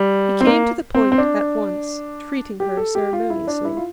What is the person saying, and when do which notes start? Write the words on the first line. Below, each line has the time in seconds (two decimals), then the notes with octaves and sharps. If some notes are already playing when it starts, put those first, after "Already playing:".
He came to the point at once, treating her ceremoniously.
Already playing: G3
0.41 C4
0.47 A#3
0.95 C4
1.12 C4
1.18 D4
2.60 G4
2.77 A4
2.95 G4
3.13 F4
3.30 E4
3.47 D4
3.65 E4
3.77 F4